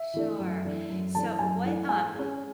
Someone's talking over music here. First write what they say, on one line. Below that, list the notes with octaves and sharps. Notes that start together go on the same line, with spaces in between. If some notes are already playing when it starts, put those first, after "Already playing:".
Sure. So what um,
Already playing: E5
E3 A3 D4
F#2
E3 A3 D4
F#2
E3 A3 D4 A5
F#2 G#5
E3 A3 D4
G#2 G#5
G#3 C#4